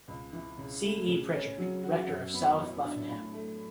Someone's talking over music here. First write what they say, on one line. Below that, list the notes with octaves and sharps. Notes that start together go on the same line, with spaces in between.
C. E. Prichard, Rector of South Luffenham.
C#2
E3
C#3
A3
C#3
C#4
F#3
F#4
F#2
B3
E3
D4
A2
A3